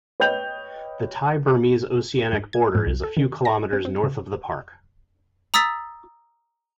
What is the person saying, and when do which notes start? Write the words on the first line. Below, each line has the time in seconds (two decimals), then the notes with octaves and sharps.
The Thai-Burmese oceanic border is a few kilometers north of the park.
0.20 B4 C#5 D#5 G5 G6 F7
2.33 G#2
2.53 G#6
2.75 G#2
2.86 C2
3.03 A4
3.17 D#3
3.45 A#6
3.73 C4
3.85 C4
4.04 C#3
5.54 A#5 D#6 E6 A6 B6